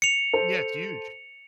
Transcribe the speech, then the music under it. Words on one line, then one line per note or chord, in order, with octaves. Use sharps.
yeah, it's huge.
C#7 F7
A4 C5